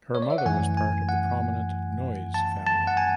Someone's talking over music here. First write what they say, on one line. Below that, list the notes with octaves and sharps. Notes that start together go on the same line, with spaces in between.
Her mother was part of the prominent Noyes family.
C#5
D5
E5
F#5
F#2 E3 A3 G#5
G#5
F#5
A5
A5
F#5
G#5